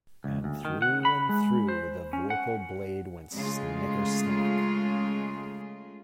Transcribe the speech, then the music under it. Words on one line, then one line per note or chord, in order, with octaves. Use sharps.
And through and through the vorpal blade went snicker-snack!
C#2
D2
D#3
F#5
B5
G#3
C5
C#4
F#5
C#3 G#3 A3 F4 G#4